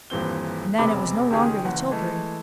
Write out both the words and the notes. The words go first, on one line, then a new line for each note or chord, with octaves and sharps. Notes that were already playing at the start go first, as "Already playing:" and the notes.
And then, it was no longer the tilbury.
D#1 G2 E3 C4 G7
E1 E2 C3 G#3 B5 D6
C#2 D#3 G4 G#4
F#1 E3 F#5
E3 G#3 A3